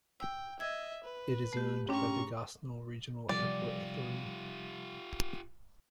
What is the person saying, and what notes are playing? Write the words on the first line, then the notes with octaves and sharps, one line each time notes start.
It is owned by the Gosnell Regional Airport Authority.
G5 E6
D#5 E5 E6 G#6
B4
A3 G4
G#2 C#4 D4 G4 A#5 C#6
C3 F3 G3 F4 G4 D5